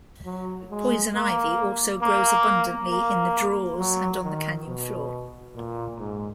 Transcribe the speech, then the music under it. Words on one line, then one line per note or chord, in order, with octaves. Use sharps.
Poison ivy also grows abundantly in the draws and on the canyon floor.
F#3
G#3
A#3
A#3
A#3
F#3
D#3
B2
A#2
G#2